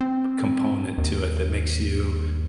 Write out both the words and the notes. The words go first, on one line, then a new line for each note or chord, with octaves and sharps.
component to it that makes you
C4
D#2